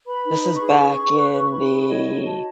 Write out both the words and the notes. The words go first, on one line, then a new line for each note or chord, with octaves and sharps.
this is back in the
B4 B5
D#4
B4 B5
C#6
G#4
C#6
C#4
G#4
B4
B4
D#4 B5
B5
G#4
B5
C#5 D#5
D#4
F#4 A5